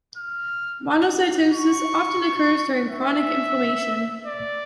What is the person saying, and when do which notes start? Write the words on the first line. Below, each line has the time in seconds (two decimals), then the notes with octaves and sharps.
Monocytosis often occurs during chronic inflammation.
0.17 F6
1.54 C#6
2.90 E5
4.26 D5